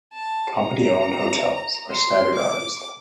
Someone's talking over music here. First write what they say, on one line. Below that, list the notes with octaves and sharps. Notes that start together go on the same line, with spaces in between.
Company-owned hotels are standardized.
A5
A#5
C6
D6